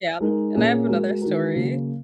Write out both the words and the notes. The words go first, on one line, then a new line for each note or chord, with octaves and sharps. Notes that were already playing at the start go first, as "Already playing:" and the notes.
Yeah. And I have another story of
G#3 D#4 A#4
A#2 A#3 C#4 G#4
G#3 F#4 A#4
D#3 G#3 F#4 A#4
C#3 F#3 A#3